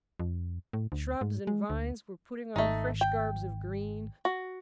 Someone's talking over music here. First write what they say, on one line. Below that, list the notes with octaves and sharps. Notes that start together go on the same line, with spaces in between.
Shrubs and vines were putting on fresh garbs of green.
F2
A2
D2
G#2
G#3
D2
G#1 A3 D#4
G5
F#4